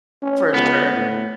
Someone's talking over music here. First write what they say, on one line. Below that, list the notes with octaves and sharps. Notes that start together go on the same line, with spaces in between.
For sure.
C#4
C#2 B3
A2